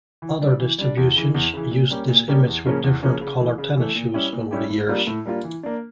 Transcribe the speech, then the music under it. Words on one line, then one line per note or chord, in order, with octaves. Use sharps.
Other distributions used this image with different colored tennis shoes over the years.
E3
G3 D4
E3
G3 D4
E2
C#3 E3
E2
C#3 E3
A#2
G3 A#3 C#4 G4
A#2
G3 A#3 C#4 G4
E2
C#3 F3 A#3 C#4
E2
C#3 F3 A#3 C#4
C#3
E3 A3
C#3
E3 A3
A#2
G3 C#4 E4 G4
A#2
G3 C#4 E4 G4
A2
G3 A#3 D4 F4
A2
G3 A#3 D4 F4
E3
A#3 D4